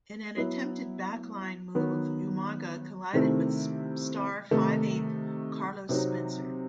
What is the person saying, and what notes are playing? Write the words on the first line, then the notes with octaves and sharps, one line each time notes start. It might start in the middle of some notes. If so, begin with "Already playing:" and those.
In an attempted back line move, Umaga collided with star Five-Eighth Carlos Spencer.
F#3 B3 E4
D#3 F#3 B3
C3 D#3 A3 C4 E4
C3 D#3 A3 D#4
C3 F#3 C4 D#4